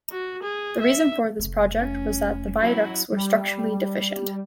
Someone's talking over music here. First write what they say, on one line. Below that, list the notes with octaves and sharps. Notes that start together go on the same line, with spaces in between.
The reason for this project was that the viaducts were structurally deficient.
F#4
G#4
E5
F1 A3
C#4
F#3 E4 F#4
G3